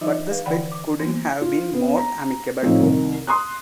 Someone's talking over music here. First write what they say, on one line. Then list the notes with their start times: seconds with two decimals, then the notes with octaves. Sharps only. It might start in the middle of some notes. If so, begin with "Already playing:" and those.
But the split couldn't have been more amicable.
0.01 E3 F#3 D#4 F4 D#5 E5
0.31 B4 F5
0.46 D3 E3 D5 F#5 G5 B5
0.72 D6
1.00 E3 A#3 B3
1.41 F4
1.73 B3
1.97 A#5
2.62 A2 F3 C4 D#4 C#5
2.80 C2 D#3
3.27 C6 D#6 F#6